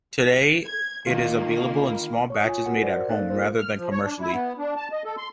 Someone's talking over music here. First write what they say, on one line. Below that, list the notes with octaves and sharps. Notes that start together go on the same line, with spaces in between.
Today, it is available in small batches made at home rather than commercially.
G#6
D#3 A#3 F4
B5
C#5 C#6 D#6
F4 G#5
F#4 A#4 F#5 C#7
A#4 C5 D5
A#3 D#4 A4 F5 F#6 A6
F4 G#4 A#4 C5
F6
F3
C#5
D4
E4
B3
D4
A5
D#5
A4
C6